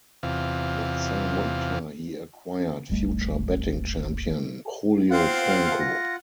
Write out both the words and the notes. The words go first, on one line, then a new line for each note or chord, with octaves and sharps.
That same winter he acquired future batting champion Julio Franco.
E2 C3 F4
D1 G1 G3 A3
C4 F4 F5 F#5
A#6